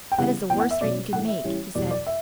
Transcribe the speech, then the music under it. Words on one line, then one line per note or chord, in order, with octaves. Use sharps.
"That is the worst threat you could make," he said.
G5
C#3 E3 G3 B3 F#5
A2 E3 B3 G5
F#5
E5
B2 F#3 C#4 D5
A2 E3 A3 F#5
E5
A2 E3 G3 C#4
E2 B2 G3 D5
D5
E5